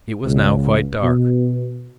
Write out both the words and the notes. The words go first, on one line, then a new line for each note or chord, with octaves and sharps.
It was now quite dark.
C#2
B2